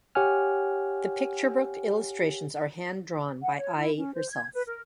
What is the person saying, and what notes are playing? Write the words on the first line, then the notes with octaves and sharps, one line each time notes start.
The picture book illustrations are hand-drawn by Ai herself.
G4 C#5 F#5 G#5 F6
F#5
C#5
E4
C#4
C5
G#6
B4
A#4